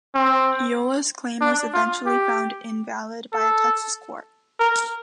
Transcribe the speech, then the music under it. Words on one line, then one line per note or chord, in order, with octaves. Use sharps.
Eolas' claim was eventually found invalid by a Texas court.
C4
D4
F4
G4
A4
A#4